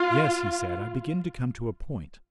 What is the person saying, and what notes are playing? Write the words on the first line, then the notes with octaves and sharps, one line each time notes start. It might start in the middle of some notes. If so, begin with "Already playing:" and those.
'Yes,' he said, 'I begin to come to a point.
Already playing: F4